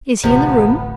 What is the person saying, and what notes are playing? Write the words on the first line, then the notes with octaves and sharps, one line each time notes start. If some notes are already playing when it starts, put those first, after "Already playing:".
Is he in the room?
D1 A1 C3 F3 B3